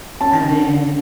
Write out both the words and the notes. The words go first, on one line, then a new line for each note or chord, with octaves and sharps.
and then
C#4 A5